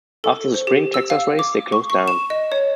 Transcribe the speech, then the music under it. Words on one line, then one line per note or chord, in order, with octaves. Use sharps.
After the spring Texas race, they closed down.
A4
C5
G4
E6
F5
D6
C#6
C#6
E7
D#5
C#5